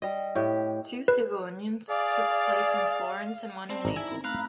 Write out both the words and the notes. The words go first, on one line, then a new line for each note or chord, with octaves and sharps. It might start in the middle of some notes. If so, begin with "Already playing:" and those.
Two civil unions took place in Florence and one in Naples.
G3 D#5
A2 G4
B4
G#4 D5 F5
C4 D5 A5 B5
G#1 A#5
D#4 E4 G#5
B3 C4 F#4
A3 F5 A#5 B5 E6 F#6